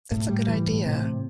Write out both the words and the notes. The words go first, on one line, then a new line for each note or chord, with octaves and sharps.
That's a good idea.
A2
G3
E3
A2
C3